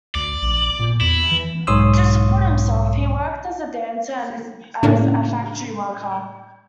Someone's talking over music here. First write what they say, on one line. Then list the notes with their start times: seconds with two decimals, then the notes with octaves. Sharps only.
To support himself, he worked as a dancer and as a factory worker.
0.15 D2 D5
0.42 A#1
0.79 A#2
1.01 E2 E4
1.31 E3
1.67 B1 G#2 C#5 C6 D#6 E6
4.83 A2 C#3 A#3 C#4 D4